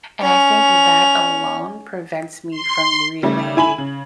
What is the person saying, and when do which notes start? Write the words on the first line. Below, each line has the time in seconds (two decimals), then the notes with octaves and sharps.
and I think that alone prevents me from really,
0.21 C#4 F7
2.51 C6
3.23 C#3 G3 A3
3.57 E4 G#5 B5 F#7
3.78 C#3